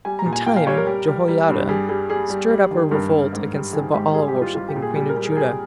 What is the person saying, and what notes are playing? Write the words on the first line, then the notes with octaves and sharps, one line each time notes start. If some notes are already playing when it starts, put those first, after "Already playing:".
In time Jehoiada stirred up a revolt against the Baal-worshipping queen of Judah.
G3 G#5
A#5
A#2
G#5
A#2 G5
F5
G3 C#5
A#4
G3
G3
G3
G2
G3 G#4
G3 G#4
G3 G#4
G3
G3
D#3
G2 A#4
G2
G#2
G3
D#3 G#4
G#2 G4
G3 G#4
G4
G3
F4
G3 F4
G4
A#2
G#4
G3 G#4
A#4
G3
G#4
A#4
G3 G#4